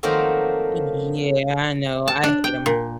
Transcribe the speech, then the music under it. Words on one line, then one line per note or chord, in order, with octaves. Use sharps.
Yeah, I know, no, I hate ‘em.
D#3 F3 F#3 A3 A#3 C4
A5
D4
G5
A#2